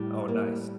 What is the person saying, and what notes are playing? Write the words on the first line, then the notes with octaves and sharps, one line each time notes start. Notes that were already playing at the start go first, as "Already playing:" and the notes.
Oh, nice.
Already playing: A2 G3
A#3